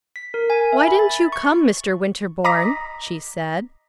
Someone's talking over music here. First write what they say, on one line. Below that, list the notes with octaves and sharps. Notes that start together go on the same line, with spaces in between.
"Why didn't you come, Mr. Winterborne?" she said.
B6
A#4
G#5
E5
B5
A6
C#6
D#5 A#5 D6 D#6 A#6 B6